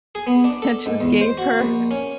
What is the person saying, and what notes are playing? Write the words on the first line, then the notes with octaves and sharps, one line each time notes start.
and just gave her
G#4
B3
D4
A4
G#2
E2
C5
F#4
A#1
C#4